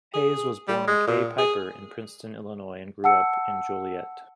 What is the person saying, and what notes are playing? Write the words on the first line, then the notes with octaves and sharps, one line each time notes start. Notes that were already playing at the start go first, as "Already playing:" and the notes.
Hays was born Kay Piper in Princeton, Illinois and grew up in Joliet.
G#4
G3
G#3
A#2
G#4
F#5 A5 E6 C#7